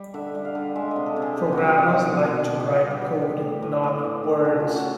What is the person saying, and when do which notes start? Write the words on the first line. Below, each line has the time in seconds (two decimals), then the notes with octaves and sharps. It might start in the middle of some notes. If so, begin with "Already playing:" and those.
Programmers like to write code; not words.
Already playing: G3
0.14 D3 E5
0.35 G3
0.45 F5
0.55 D3
0.75 G#3 E5
0.91 C3 D#5
1.06 A4
1.16 C3
1.22 G#4
1.37 C3 G4
1.53 C3 F#4
1.63 E4 F4
1.78 C3
1.83 F4
1.99 B2 F#4
2.19 B2
2.40 B2
2.60 B2 G4
2.76 G3 F#4
2.91 G4
3.02 G3 G4
3.22 A2
3.42 A2
3.62 A2
3.84 A2
4.04 E3
4.24 E3
4.45 A3 F#4
4.60 C#3 F4
4.75 F#4